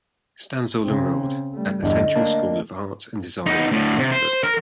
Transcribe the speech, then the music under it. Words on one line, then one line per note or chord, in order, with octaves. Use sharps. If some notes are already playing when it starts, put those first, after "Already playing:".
Stanshall enrolled at the Central School of Art and Design in London.
C#3 C4
G3 A3
E2 G2 D3 D4 D#5
A3 A#3 D4
B3 D#4
A2 D3
C3
C5
A#4